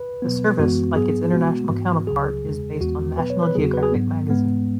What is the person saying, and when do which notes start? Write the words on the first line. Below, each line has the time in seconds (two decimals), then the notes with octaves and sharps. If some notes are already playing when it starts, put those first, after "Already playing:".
The service, like its international counterparts, is based on "National Geographic Magazine".
Already playing: B4
0.22 B2 F#3 B3
0.59 F#2 E3 G#3 B3 F#4
0.96 G#2 F#3 B3 G#4
1.33 B2 G#3 B3 F#4
1.70 G#2 E3 B3
2.07 C#2 C#3 F#3 G#4
2.45 E2 C#3 G#3
2.81 E2 E3 G#3 B3 F#4
3.18 B2 F#3 B3 B4
3.30 C#5
3.43 B4
3.55 E2 C#3 F#3 B3 G#4
3.64 F#4
3.74 B4
3.83 G#4
3.92 G#2 F#3 B3
4.29 G#2 G#3 B3